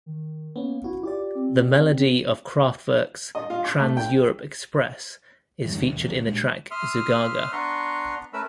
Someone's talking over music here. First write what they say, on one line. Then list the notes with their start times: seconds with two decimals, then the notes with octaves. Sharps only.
The melody of Kraftwerk's "Trans-Europe Express" is featured in the track "Zugaga".
0.06 D#3
0.56 A#3 B3 C#4
0.84 G#1 E4 F#4
1.03 F4 G4 D5 D6
1.35 C4
3.35 D#5
3.50 F4
3.65 D6
3.80 A3
3.97 G5
5.64 D1 E2 G2 D#3
5.77 D#1 G#2 D3
5.95 B1 E2
6.10 C#2
6.27 A#2 G#3
6.71 E5 C6 D#6 F6
7.52 B3 D4 B4 A#5 C6 C#6
8.33 A3 C#4 A#4 B4 B5 E6